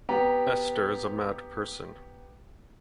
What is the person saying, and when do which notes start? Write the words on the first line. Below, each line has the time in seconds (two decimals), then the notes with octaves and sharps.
Esther is a mad person.
0.09 B3 G4 A#5